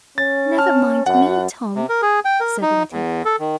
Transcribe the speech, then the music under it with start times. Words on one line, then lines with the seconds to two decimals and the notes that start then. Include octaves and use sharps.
"Never mind me, Tom," said Letty.
0.18 C#4 A6
0.58 A5 F6
1.06 F#2 F#5
1.75 C3
1.89 A#4
2.02 G#4
2.25 G5
2.40 A#4
2.62 D#4
2.91 E2
3.25 A4
3.39 D#3